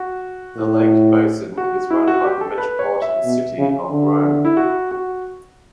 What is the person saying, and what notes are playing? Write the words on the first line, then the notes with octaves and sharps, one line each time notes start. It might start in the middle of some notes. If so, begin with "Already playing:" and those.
The lake basin is run by the Metropolitan City of Rome.
Already playing: F#4
A2
F#4
E4
F#4
G4
A4
B4
C#5
E5
B2
C#3
D3
E4
F#4
F#4